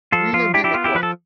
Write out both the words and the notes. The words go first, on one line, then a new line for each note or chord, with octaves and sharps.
William B. McCulloch.
F3 F4 A4
F3 F4
D4 E4 G4
E4 G4
B3 F4
E4 G4
F3 B4
A4